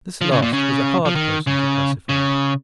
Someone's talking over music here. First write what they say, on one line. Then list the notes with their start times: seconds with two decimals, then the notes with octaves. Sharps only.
This last was a hard person to classify.
0.21 F3
0.32 C#3
0.42 A#2
0.53 C#3
1.05 F3
1.15 D#3
1.47 C#3
2.09 C#3